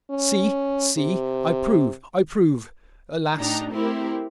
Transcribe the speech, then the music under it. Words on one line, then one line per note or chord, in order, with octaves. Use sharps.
'See! see! I prove; I prove.' Alas!
C#4
C3
A2 D4 D#4 G4 A#5
A3 C4 E4 G4 A#4